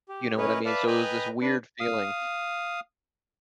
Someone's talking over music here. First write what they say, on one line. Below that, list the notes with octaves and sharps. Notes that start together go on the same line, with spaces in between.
you know what I mean? So, it was this weird feeling,
G4
C#4 E4 A#4 B4 C#5 D#5
B4 D5 E5 F5 A5 B5
B4 D#5 G5 G#5 A#5 B5
D4 B4
F5 D#6